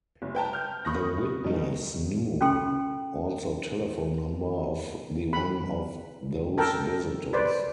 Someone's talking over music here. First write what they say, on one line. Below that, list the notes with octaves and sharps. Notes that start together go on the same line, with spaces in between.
The witness knew also telephone number of the one of those visitors.
F#1
B4 G5 A5 A#5
F6 G6
B5 C#6 D#6 F#6 A#6
G3 D#4
C#4 F4 A4 G5 C6
B5
A4 A#4 G5 A5
B4 C5 D5